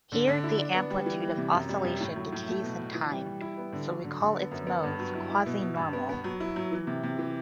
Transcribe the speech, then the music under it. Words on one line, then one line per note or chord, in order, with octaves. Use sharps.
Here the amplitude of oscillation decays in time, so we call its modes "quasi-normal".
D3
D3
E4
D4
B3
G3
E3
E3
C3
F#2
G3
F#2
A2
F#3
A2
A3
B2
B2
E3
G3
G3
E4
B3
D3
F#3
D3
D3
B3
F#2
B3
G2
F#3
E4
E4
B2
B2
G2
B3
B3
F#3
E4
F#3
E3
C3
C3
E3